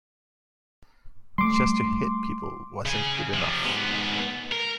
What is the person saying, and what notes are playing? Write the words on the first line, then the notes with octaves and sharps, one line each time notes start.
Just to hit people wasn't good enough.
G3 A3 C6 D6
C#3 G#5
C3 F3
G#2 B3
A#4